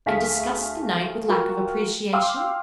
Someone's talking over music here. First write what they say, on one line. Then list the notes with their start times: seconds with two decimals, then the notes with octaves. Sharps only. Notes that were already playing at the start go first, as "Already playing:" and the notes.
"And disgust the night with lack of appreciation?"
0.06 D2 A3 G#4 F5 B6
1.28 F4 F#4 A#4 G5
2.13 F5 G5 C6 D6 E6